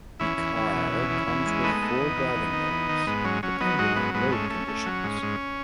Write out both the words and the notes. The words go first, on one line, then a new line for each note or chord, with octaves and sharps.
The car comes with four driving modes depending on road conditions.
E2 C#4 E4
E2
E2
B2
E2
E2
E2
G#3
A3 B3 D#4
A3
E2
E2
E2
D#3
E2
D#3
G#2 B3
F#3 C#4
F#3 C#4
F#3 B3 D#4
G#2 D#4 F#4
F#3 B3
G#2 B3
A3 C#4
A3
A3
F#3
G#2
G#2